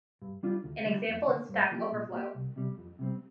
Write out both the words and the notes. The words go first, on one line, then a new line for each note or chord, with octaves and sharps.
An example is Stack Overflow.
G2
G3 D4 F4
D2
D3 G3
F2
D3 A#3
G2
F3 A#3 D4 G4
A#2
A#3 G4
C2
C3 G3
F2
C3 G3 C4